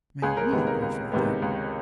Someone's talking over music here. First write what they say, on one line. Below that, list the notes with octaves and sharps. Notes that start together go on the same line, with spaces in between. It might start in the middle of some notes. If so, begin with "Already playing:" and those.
"May we offer, then?"
C#2 G#4
A#4
C3 D#3 G#3 B3
A#4
C#2
C3 D#3 G#3 B3
C#2